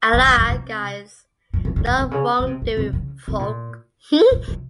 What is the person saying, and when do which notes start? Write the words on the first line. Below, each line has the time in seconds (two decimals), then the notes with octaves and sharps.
Allah guides not wrongdoing folk.
0.13 C#3
0.26 D#3
0.37 C#3
0.49 C3
1.54 A#2
1.65 C3
1.76 C#3
1.88 C#3
1.99 C3
2.11 C#3
2.40 C#3
2.47 C3
2.62 A#2
2.77 C3
2.93 C#3
3.28 C3
3.39 A#2
4.31 A#2
4.48 C3